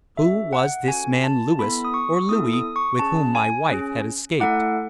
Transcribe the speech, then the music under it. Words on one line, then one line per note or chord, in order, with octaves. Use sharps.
Who was this man Lewis--or Louis--with whom my wife had escaped?
C#4 F#4 A4 E5
F#5
C#4 F#4 A4 G#5
A5
B3 E4 A4 B5
D#6
C#6
B3 E4 A4 D#6
D#6
C#6
C#4 G#4 A5
G#5
C#4 G#4
A3 E4 A4 F#5